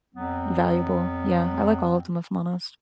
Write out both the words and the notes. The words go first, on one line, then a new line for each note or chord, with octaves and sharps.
valuable. Yeah, I like all of them, if I'm honest.
F2 F#3 B3 C4